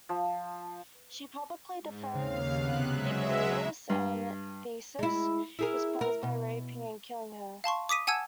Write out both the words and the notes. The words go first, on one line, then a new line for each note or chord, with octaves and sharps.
She publicly defends Hippolytus and Theseus responds by raping and killing her.
F3
G#2
D#2 C#3 F5
C3 B3 F#6
F#3 G#3 E5
G2
G#3 E4
E4 G#4 A#4
A#4
B2
F5 A5 C6 C#6
D6 D#6 B6 D#7
F#5 G#5 A5 E6 G#6 E7